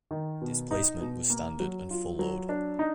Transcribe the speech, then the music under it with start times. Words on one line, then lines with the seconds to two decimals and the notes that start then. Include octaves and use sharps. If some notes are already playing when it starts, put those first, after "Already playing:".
Displacement was standard and full load.
0.11 D#3
0.41 B2
0.71 D#4
1.01 B2
1.30 A#3
1.60 F#3
1.91 F4
2.19 F#3
2.49 D4
2.79 D#4